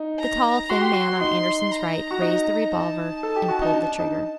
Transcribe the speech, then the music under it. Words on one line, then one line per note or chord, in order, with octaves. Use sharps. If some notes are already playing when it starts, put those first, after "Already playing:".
The tall thin man on Andersen's right raised the revolver and pulled the trigger.
Already playing: D#4
A#5
F#4 C6
G4
F#4
D#4 C6
A#5
F#4
D#4
A5
A4
G4
F#4
D#4
D4
D#4